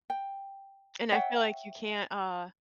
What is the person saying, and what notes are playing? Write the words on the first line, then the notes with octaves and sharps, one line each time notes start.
And I feel like you can't, uh
G5
C#5 E5 F#5 G5